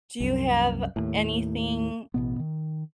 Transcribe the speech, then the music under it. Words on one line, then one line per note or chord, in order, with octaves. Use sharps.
Do you have, uh, anything,
C2 F#2
D#2 A2
A1 B2 B3
D#3